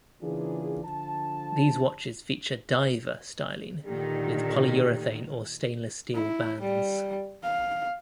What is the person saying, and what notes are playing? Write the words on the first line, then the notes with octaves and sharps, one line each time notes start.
These watches feature "diver" styling with polyurethane or stainless steel bands.
C#3 E3 A#3 D4 F4 G#4
D3 F3 A5
A#2 D3 D#3 G4
E4
G3
F5